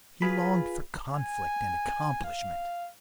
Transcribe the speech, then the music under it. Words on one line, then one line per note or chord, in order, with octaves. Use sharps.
He longed for conflict and accomplishment.
F4 G#4 B4 B5
G#5
F5